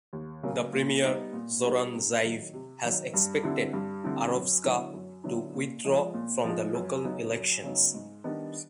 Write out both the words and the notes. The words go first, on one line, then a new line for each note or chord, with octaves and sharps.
The premier Zoran Zaev has expected Arovska to withdraw from the local elections.
D#2
C#3 F#3 A#3
A#2
G3 B3 D#4
A#2
G3 B3 D#4
C3
D#3 F#3
C3
D#3 F#3
G2
D3 G3 C4 E4
G2
D3 G3 C4 E4
F#2
D3 F#3 B3 E4
F#2
D3 F#3 B3 E4
A#2
F3 G#3
A#2
F3 G#3
F#2
C#3 F#3 B3 D#4
F#2
C#3 F#3 B3 D#4
G#2
D#3 G3 B3 D4